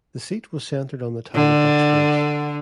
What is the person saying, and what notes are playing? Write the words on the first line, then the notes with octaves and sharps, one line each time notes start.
The seat was centred on the town of Uxbridge.
D3